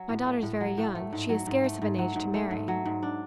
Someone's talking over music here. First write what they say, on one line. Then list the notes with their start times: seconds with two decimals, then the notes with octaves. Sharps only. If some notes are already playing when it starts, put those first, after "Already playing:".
"My daughter is very young--she is scarce of an age to marry."
Already playing: F#3
0.09 A2
0.25 A3
0.43 A2
0.60 F#3
0.78 A2
0.95 A3
1.13 G#2
1.29 F#3
1.47 G#2
1.64 A3
1.82 G#2
1.98 F#3
2.16 G#2
2.34 A3
2.51 G#2
2.68 F#3
2.86 G#2
3.03 D4